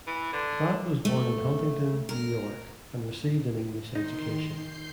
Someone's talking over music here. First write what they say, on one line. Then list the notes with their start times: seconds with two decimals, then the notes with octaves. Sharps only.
Platt was born in Huntington, New York, and received an English education.
0.07 E3
0.33 D3
1.05 A3
2.09 A#4
3.95 D#3 D#4 C6
4.47 G6 C7